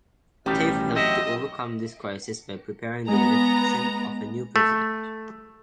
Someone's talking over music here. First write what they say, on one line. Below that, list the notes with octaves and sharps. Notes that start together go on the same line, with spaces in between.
Taif helped to overcome this crisis by preparing the election of a new president.
A1 B2 D#3 G3 G4
F#3 C4 D#5 E5
G#3 B3 A#5
A3